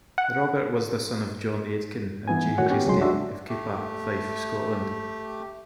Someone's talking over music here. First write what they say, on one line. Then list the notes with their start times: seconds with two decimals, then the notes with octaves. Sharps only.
Robert was the son of John Aitken and Jane Christie, of Cupar, Fife, Scotland.
0.18 F#5
2.28 E3 B3 G#5
2.58 A2 D#3 F#4 C#5 F#5
2.70 B3 C#4 G4
2.86 C2 C#3 F#3 G#3 C6
3.01 D4 F#4 E5
3.49 A3 G4